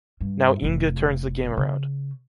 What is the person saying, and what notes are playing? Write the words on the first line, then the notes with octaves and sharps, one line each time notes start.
Now Inge turns the game around.
G2
F1 E4
C#3